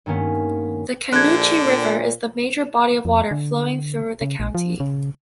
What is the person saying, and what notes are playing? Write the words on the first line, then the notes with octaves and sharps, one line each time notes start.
The Canoochee River is the major body of water flowing through the county.
G2 D#3 G#3 A#3 B3 C#4
A#1 D3 F#6 G#6
A#2
F2
D3
C#3
A#1
F3
C#3